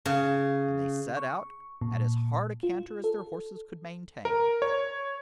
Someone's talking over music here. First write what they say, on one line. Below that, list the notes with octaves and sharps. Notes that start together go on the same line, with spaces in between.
And they set out at as hard a canter as their horses could maintain.
C#3
C#6
A#2
F4
A4
A#4
C#5